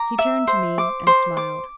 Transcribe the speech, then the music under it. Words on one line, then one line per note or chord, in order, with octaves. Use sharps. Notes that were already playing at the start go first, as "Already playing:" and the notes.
He turned to me and smiled.
Already playing: A#5 D6
E5
C5
D6
C5
D6